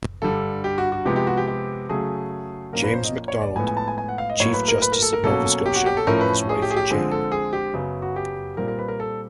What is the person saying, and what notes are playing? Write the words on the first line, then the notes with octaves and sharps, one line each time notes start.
James McDonald, Chief Justice of Nova Scotia, and his wife, Jane.
G2 D3 G3 A4
G4
F#4
F#4
C3 F3 G#3 B3 G4
G4
F#4
G4
G4
C#3 F#3 A3 G#4
A#2 F3 A#3 C#4 A#4
B4
C5
D#5
C#5
D5
A2 F3 G#3 B3 G#5
G#5
A5
G#5
G#5
F#5
F5
D#5
A2 F#3 A#3 C#5
B4
A#4
B4
A#4
A4
A#4
B2 F#3 A#3 C#4 A4
G4
F#4
G4
A4
A2 F3 A3 C#4 A#4
B4
G#4
G4
G#4
G4
D3 F3 G#3 C4 G#4
A4
G#4
G4
F#2 C#3 F#3 B3
F#4
G4
A#2 G3 C4 A#4
A#4
B4
A#4
A4